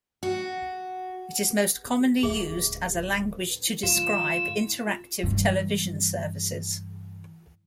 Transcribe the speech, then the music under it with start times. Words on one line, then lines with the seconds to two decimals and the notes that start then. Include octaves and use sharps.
It is most commonly used as a language to describe interactive television services.
0.23 F#4
2.23 D1 C#2 F#3 G#4 E5
3.83 G#2 D3 F3 F4 E6
5.23 G2 E3